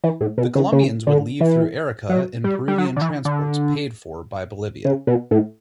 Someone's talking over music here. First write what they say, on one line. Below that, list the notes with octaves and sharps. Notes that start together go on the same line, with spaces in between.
The Colombians would leave through Arica in Peruvian transports paid for by Bolivia.
E3
A2
B2
C#3
C#3
D3
E3
F#3
G3
G3
F#3
D3
E3
D3
C#3
B2
A2